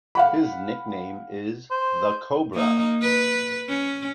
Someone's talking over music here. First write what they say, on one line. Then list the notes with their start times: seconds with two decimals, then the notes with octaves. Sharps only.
His nickname is The Cobra.
0.15 F5 F#5 B5
1.71 C5
2.54 A#3 D#4
3.02 B4
3.69 C#4